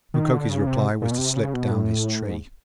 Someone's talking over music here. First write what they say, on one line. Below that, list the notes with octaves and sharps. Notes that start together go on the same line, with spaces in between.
Mukoki's reply was to slip down his tree.
D#3
D3
C#3
C3
A#2
B2
C3
C#3
B2
A2
G#2